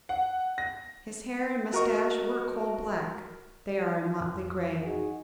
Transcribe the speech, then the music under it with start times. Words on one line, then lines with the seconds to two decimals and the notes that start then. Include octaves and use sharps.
His hair and mustache were coal black; they are a motley gray.
0.09 F#5
0.58 A#6
1.73 F#4 A#4 D#5 C#6
4.21 F2
4.82 D#4 F#4 G#4